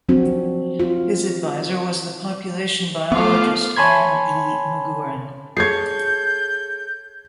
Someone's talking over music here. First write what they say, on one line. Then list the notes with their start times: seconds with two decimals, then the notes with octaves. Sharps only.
His advisor was the population biologist Anne E. Magurran.
0.09 F3 F#3 C4 D4 F#4
0.80 F4
3.12 F3 A3 B3 F4 F5 D6
3.77 C#5 G#5 A5 B5 C6 G#6
5.57 G#4 A4 C#5 G6 G#6 C7